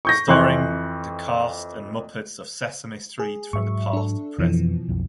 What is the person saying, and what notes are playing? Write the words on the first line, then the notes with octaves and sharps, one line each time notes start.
Starring the cast and Muppets of "Sesame Street" from the past and present.
C#6 G6 A#6
F2 E3 C6 C#6 F#6
G#4
G#2 F#3 E5 C#6
D4 A4
F2 B2 E3 F3
B1 F2